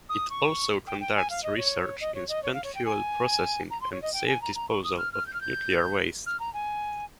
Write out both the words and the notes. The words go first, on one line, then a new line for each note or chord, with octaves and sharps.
It also conducts research in spent fuel processing, and safe disposal of nuclear waste.
D#6
C#6
G5
G5
G#5
F5
D#5
C#5
D#5
C#5
D#5
C#5
F5
C#5
G5
G#5
A#5
C6
C#5
D#5
G5
G#5
A#5
A#5
C#6
D#6
F6
F6
G6
F6
G6
F6
A#5
G#5